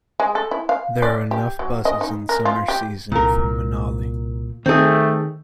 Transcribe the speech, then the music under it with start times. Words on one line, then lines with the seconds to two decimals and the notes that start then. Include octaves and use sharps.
There are enough buses in summer season from manali.
0.20 G#3
0.35 A4
0.51 E4
0.69 F5
1.02 D5
1.31 G4
1.59 F#3
1.85 D#5
2.01 D#4
2.29 A#4
2.45 F4
2.68 G4
3.12 C2 A#2 A#4
4.66 D#3 A3 C4 G#4